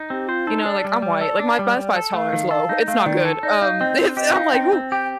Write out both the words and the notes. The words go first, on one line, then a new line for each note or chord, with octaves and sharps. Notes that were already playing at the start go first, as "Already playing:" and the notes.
you know, like, I'm white, like, my bice spice tolerance is low, it's not good, um, it's I'm like, "Whoo."
Already playing: D#4
C4 G4
F4 C5
D#4 A4
D4 D5
G3
G3
A4
D4
G3
G3
A4
A3 F5
D#3
A4
D#4
A3 F5
D#3 D5
A4
D#4 D5
D#4 F5
C4 D#5
C4
G4 D#5
D#4 F5
C4 G5
C4
G4 G5